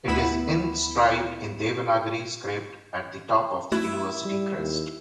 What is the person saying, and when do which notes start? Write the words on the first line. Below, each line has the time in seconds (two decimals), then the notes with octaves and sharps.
It is inscribed in Devanagari script at the top of the university crest.
0.08 D2 B3 E4 B5 E7
3.72 A3 E4 F#4
4.25 G3
4.58 D#2